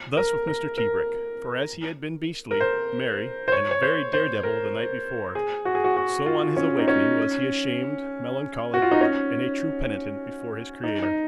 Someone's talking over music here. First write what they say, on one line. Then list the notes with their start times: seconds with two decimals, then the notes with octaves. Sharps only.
Thus with Mr. Tebrick, for as he had been beastly, merry and a very dare-devil the night before, so on his awakening was he ashamed, melancholic and a true penitent before his Creator.
0.17 A#4
0.47 A#4
0.78 A#4
2.51 A#4
2.61 C5
3.48 C5
3.52 C#5
3.71 C#5
3.82 C5
4.13 C5
4.43 A#4
5.35 G#4
5.65 F#4
5.75 G#4
5.84 F#4
5.97 F#4
6.26 F4
6.57 C#4
6.79 D#4
6.88 C#4
8.74 F#4
8.82 F4
8.91 D#4
9.01 C#4
10.84 D#4
11.02 D#4